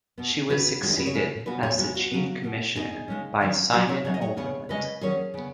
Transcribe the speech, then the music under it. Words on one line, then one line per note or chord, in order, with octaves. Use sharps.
She was succeeded as Chief Commissioner by Simon Overland.
B2 B3
D#3 B3 F#4 B4
D#3 G#3 C#4 F#4
D#4 G#4
F#4 B4
G#4 C#5
C#3 G#3 C#4
C#3 B3 F#4 B4
G#4 C#5
C#3 G#3 B3 F#4
F#4
C#3 F#3 B3
B2 B3
B2 B3 D#4 G#4
C#3 G#3 C#4
D#3 F#3 C#4
B2 F#3 B3 F#4 B4
G#4 C#5
C#3 F#3 B3 C#5
D#5
G#4 C#5
C#3 B3 G#4 C#5
C#3 G#3 C#4 B4 D#5
D#3 F#3 C#4 G#4 C#5
C#3 B3